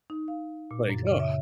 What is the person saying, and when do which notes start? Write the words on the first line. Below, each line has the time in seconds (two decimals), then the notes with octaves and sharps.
Like, "Ugh,
0.10 D#4
0.28 F5
0.71 A#2
0.90 F#2
1.07 C#3
1.20 E5